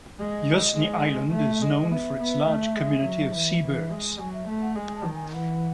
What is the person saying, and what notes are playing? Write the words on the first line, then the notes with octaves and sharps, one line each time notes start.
Yuzhny island is known for its large community of sea birds.
G#3 D#5
G#3
A3 E5
E5
G#3 D#5
B3 E5
B3
A3
G#3
F#3
E3
E3
G#3
F#3 G#5
E5
A3
F#5
G#3 G#5
A5
D#3
G#5
E3 F#5